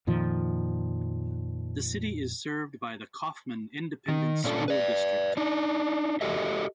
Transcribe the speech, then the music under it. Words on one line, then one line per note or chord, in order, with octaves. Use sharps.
The city is served by the Kaufman Independent School District.
F2 A#2 D#3 F3
D#3
A#2 C#4 D4 F4 A4
B4 D5
D4 D#4
F#4 G4 A4 D#5 E5